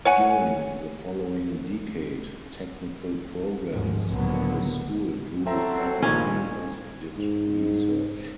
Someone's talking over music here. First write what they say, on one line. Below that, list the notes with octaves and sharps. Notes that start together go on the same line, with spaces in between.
During the following decade, technical programs at the school grew rapidly, as did research.
C#5 F#5 G#5
D#2 G#2 F3
C#2 A2 D3 F#3 A#3 B3
F#3 C4 A4 E5 A#5
A#1 A#2 D#3 C#4
G#2